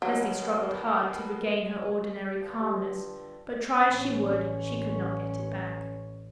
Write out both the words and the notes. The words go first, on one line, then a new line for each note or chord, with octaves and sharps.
Leslie struggled hard to regain her ordinary calmness; but, try as she would, she could not get it back.
B2 D#3 F#3
G2 D3 F3
A1 C#4